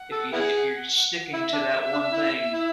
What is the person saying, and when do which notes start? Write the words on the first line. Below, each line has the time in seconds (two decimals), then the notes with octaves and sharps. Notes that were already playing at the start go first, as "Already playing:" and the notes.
if you if you're sticking to that one thing,
Already playing: F#5
0.12 A4
0.33 B3 E4 G#4
1.34 E4 E5
1.53 D4
1.93 D4
2.13 E4
2.53 E4